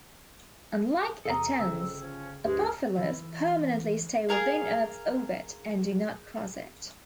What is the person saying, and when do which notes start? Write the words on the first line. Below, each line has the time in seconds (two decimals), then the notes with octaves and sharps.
Unlike Atens, Apoheles permanently stay within Earth's orbit and do not cross it.
1.25 E2 C3 A4 A#5 D#6
1.59 G1 F2 C#3 F3 G5 E6
2.01 F3 C#4
2.45 D2 G2 C3 G#3
2.97 E3
4.29 G#4 A#4 F5